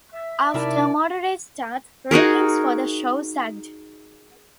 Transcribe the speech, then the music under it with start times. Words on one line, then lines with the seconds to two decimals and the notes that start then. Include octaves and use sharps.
After a moderate start, ratings for the show sagged.
0.14 E5
0.54 C3 D#4 E4 A#4 D5 A5
2.11 D#4 F#4 G#4 A#4